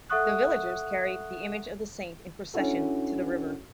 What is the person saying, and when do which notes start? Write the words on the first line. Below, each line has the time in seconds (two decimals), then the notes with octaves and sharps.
The villagers carried the image of the saint in procession to the river.
0.10 A4 E5 F#5 C#6 D#6 F#6
2.54 C#4 D4 E4 F#4 A4